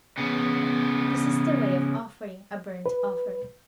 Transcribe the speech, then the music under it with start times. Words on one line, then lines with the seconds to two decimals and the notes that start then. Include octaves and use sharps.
This is the way of offering a burnt-offering.
0.18 C#3 B3
2.86 B4